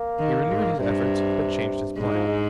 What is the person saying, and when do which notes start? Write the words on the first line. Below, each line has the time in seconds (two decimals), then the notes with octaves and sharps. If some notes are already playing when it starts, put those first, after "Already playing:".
He renewed his efforts, but changed his plan.
Already playing: A#3
0.19 D#3
0.49 G#2
0.78 G2 C3
1.98 G#2
2.13 F3
2.28 G#3